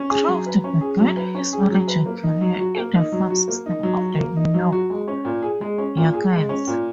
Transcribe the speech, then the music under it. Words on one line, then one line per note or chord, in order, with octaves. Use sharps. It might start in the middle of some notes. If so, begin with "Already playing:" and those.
Craft began his managing career in the farm system of the New York Yankees.
Already playing: C#4
G#4
F#3
B4
C#4
G#4
F#3
B4
C#4
G#4
F#3
B4
A#3
D#4
F#3
F#4
A#3
D#4
F#3
F#4
A#3
D#4
F#3
F#4
A#3
D#4
F#3
F#4
G#3
C#4
A#2
G#4
G#3
C#4
A#2
G#4
G#3
C#4
A#2